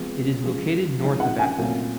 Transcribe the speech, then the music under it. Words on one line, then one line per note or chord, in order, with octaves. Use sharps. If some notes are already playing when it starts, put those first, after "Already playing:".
It is located north of Athens.
Already playing: C3 F3 G#3 B3
C#3 F3 G#3
F3 G#3 C4 D#4
F#5
G#5
A#2 F#3 A3 C4